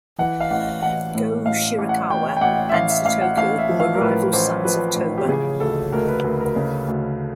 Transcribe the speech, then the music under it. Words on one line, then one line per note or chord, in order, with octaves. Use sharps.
Go-Shirakawa and Sutoku were rival sons of Toba.
E3 F#5
F5
A1 F#5
A1 F#5
A2
A1 F5
A1
F#5
A1 G5
G5
A1 F#5
E5
A1 F5
E5
A1 F5
F#5
A1 F5
E5
F3
F5
A#4
A2 B4
A1 C5
F3 B4
A1
G4
C#3 G#4
D2 A4
D2 A#4
B4
D2 A#4
A#4
C#3
D2